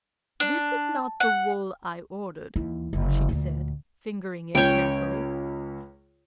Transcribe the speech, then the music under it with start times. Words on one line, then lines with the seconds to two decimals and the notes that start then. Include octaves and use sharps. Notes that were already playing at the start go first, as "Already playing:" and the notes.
"This is not the wool I ordered," she said, fingering it carefully.
0.40 D4
1.20 F#5
2.56 D#2 E3
2.93 F#1 D3
3.29 D2 A#2
4.55 C#2 C#4 C#5 G5